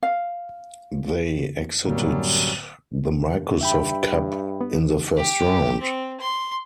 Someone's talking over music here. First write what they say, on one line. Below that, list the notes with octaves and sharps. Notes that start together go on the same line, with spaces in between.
They exited the Microsoft Cup in the first round.
F5
D1 F#2 F#3 G3 A#3 A#4
G2 E5 G5 B5
B3
G4
C4
C6